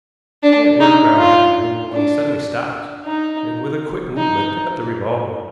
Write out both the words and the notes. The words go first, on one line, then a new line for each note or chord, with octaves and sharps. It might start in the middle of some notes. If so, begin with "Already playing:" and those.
He had worked round half the room when he suddenly stopped, and, with a quick movement, took up the revolver.
D4
D#4
F4
D4
D#4
D#4